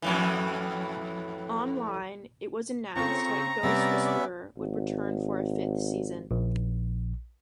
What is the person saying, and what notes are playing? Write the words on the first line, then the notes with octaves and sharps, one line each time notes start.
Online, it was announced that "Ghost Whisperer" would return for a fifth season.
F2 A2 E3
C#3 C4 F4 A4 A#5 C#6
C3 G3 B3 C#4 D5 E5 A6
G#1
A#1